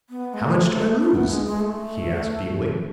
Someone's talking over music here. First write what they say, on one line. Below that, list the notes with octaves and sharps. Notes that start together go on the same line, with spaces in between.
'How much do I lose?' he asked feebly.
B3
G#3
A3
A3
B3
G#3
G#3
A3